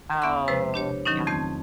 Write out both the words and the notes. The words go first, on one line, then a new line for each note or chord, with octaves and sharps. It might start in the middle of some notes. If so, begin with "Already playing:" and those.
Oh, yeah.
E2 B3 E5 C6 C#6
C3 F3 G#3 B4 C5
D4 G4 C#5
D#3 F#3 C#4 D#4
F2 A3 C4 A5 G6